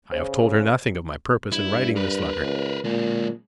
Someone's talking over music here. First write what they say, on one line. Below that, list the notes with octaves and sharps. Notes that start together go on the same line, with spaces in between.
I have told her nothing of my purpose in writing this letter.
C#3 C5
G2 E4
A#4 B4
C#2
A#2 D3 G#3